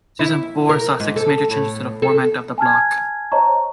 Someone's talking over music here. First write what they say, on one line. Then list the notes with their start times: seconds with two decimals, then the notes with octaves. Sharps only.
Season four saw six major changes to the format of "The Block".
0.19 E4
0.69 A#4
1.00 G#2
1.16 A4
1.50 A2
2.02 A4
2.58 G#5 A5 F6 G#6
3.32 C5 C#5 D#5 A5 A#5 C#6